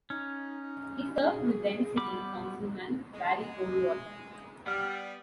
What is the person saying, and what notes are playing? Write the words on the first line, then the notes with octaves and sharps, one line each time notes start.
He served with then-City Councilman Barry Goldwater.
C#4 D#4
G#4
G3 B3 B5 D6
G#3
G3 B3 F#5 F6